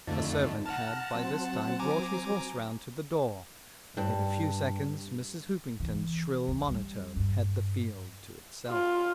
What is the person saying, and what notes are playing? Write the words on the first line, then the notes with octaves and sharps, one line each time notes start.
A servant had by this time brought his horse round to the door, and in a few seconds Mrs. Hoopington's shrill monotone had the field to itself.
F2 D3 A3 D#4 A5
F#5 A5 A#5 F6
F#3 C4 C5
G#5 A#5 D6
G2
E3
E3
G3
G2
F4